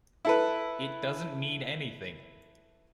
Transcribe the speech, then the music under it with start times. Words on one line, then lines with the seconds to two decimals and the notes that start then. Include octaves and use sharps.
It doesn't mean anything.
0.25 E4 A4 B4